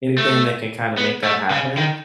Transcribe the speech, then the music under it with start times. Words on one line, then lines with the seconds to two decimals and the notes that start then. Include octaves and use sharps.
anything that can kinda make that happen.
0.18 A3
0.97 B3
1.24 A3
1.50 C#3
1.77 D#3